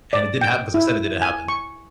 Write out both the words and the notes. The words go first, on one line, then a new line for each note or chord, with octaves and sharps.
and it didn't happen 'cause I said it didn't happen.
D5
G5
E4
G#5
C#6